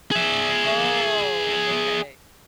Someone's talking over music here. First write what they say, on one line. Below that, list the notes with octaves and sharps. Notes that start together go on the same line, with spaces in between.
Oh, okay. B
G#4 E5